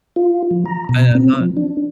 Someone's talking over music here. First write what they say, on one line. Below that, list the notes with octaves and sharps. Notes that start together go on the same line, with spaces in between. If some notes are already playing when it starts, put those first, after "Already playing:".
And I'm not
F4
F3
A#5
B2
C4
F3
D4